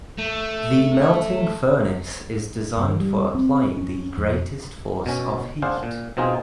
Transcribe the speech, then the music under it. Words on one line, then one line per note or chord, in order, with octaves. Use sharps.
The melting furnace is designed for applying the greatest force of heat.
A3
G2
G3
C4
C#4
F2
B2 C#4
D4 G#4 C5 F5 F#5 A5
A#2
B2 C4 D#4 F4 G#4